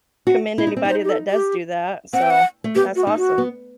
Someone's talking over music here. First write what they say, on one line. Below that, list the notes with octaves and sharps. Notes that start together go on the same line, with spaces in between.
commend anybody that does do that, so that's awesome.
F#4
E4
D#4
C4
D#4 C5
G4
A4
G4
C4 F#5
G5
F#5
A3
B3 G4
F#4
D#4
F#4
B3